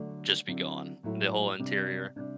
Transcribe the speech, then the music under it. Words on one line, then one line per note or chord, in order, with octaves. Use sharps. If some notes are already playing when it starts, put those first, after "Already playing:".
just be gone, the whole interior.
Already playing: D3 F#3 A3
D3 F#3 C4 E4
A2 F#3 A3 E4
C3 G3 D4
C3 G3 D4